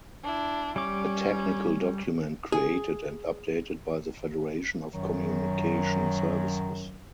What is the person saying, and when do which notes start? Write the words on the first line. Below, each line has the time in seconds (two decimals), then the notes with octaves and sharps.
A technical document created and updated by the Federation of Communication Services.
0.23 D4 E4
0.76 G3 C#4 D6
2.52 G#4
4.92 F#2 D#3 F#3